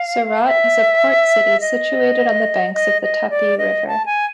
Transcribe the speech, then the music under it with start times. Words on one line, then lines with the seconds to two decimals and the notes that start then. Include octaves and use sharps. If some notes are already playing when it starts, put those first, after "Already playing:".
Surat is a port city situated on the banks of the Tapi river.
Already playing: F5
0.42 F5
0.47 E5
1.61 D#5
2.74 D#5
3.02 D#5
3.30 D5
3.58 D#5
3.87 A5
4.06 G#5